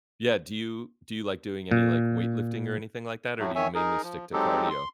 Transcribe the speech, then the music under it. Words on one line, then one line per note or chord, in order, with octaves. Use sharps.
Yeah, do you do you, like doing any, like, weightlifting or anything like that, or do you mainly stick to cardio?
A#2
A2 F#3 A3
D#3 C#5 E5 G#5
D#4 G#4 A#4
F3
F#3 G#3 C4 D#4 G4 A4
C6